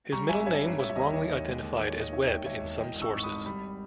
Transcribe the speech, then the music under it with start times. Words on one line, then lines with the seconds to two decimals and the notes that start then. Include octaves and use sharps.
His middle name was wrongly identified as Webb in some sources.
0.12 G3 A#5 C#6
0.29 G#1 E5 G#5
0.46 G2 C#5 E5
0.62 G#1
0.79 G3 C#5 E5
0.90 E5
0.95 D#2 D#5
1.13 D#3 C#5
1.29 D#2 D#5
1.46 G#3
1.62 D#2
1.79 D#3
1.88 C#5
1.96 D#2 D#5
2.12 D#3 C#5 E5
2.28 E1 D#5 G5
2.45 D#2 C#5 E5
2.62 E1
2.78 E3 D#5 G5
2.96 G#1
3.02 C#6 E6
3.13 G#2 C#6
3.23 B5 D#6
3.29 G#1
3.46 G3 B5 D#6